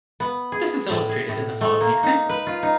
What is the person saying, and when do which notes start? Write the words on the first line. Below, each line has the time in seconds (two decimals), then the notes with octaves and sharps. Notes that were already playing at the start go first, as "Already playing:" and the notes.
This is illustrated in the following example.
0.20 B3
0.52 G#4
0.90 A2
1.09 G#4
1.29 A2
1.61 A3
1.81 A#3
2.03 D#4
2.29 B4
2.47 F4
2.63 D#4